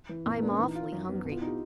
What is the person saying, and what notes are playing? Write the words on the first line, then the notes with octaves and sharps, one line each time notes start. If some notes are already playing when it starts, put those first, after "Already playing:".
I'm awfully hungry.
E3
A#2 A#3
B3
D4
C#4
E3 D#4
F4
F#2
B3
B2
F4
E4
D#4
G4